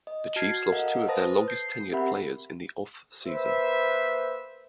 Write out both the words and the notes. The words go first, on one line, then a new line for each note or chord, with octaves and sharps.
The Chiefs lost two of their longest tenured players in the offseason.
D#5
F#4 A5 F6 G#6 C7
A4 A#4 D#5 F5 F#5
B4 C5 A5 D#6 A#6
G6 C7
C4 G4 A#4 E5 F#5 B5
A#3 B4 C5 E5